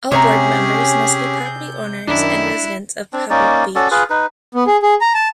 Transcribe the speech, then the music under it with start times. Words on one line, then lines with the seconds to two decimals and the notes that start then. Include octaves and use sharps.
All board members must be property owners and residents of Pebble Beach.
0.11 C3 C#4 G4 G#4 C#5 A#5
1.45 G6
2.07 F#2 D#3 D4 E4
3.13 C4 D4
3.30 A#3 C#4 D#4 D5
3.75 C#4 F#4 A4 D5
3.91 F4 G#4 B4
4.10 D#4 B4
4.55 B3
4.67 G#4
4.82 G#4
5.01 A#5
5.14 A5